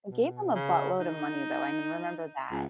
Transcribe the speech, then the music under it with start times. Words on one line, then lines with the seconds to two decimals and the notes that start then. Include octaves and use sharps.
They gave him a buttload of money, though. I n remember that.
0.09 B2
0.55 C#3
0.99 D#4
2.51 C#2